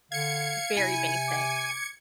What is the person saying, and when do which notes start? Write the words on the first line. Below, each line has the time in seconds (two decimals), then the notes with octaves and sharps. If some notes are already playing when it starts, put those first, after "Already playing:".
very basic.
0.12 D3 F5 G#6 C#7
0.77 C3 E4 G#5
1.28 D6